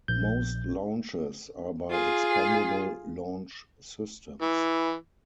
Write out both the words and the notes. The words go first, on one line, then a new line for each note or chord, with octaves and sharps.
Most launches are by expendable launch systems.
A#1 G6
F4 G#4
E3